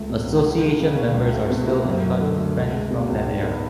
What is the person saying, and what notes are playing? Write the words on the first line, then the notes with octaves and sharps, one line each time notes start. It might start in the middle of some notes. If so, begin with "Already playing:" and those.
Association members are still in touch with friends from that era.
Already playing: C#2 A3
B2
C#2
C#2
G#3
C#3
C#4
C#2
A3
B2
E4
F#2
F#3
D3
A3
C#2
G#3
B2
C#2
G#2
B3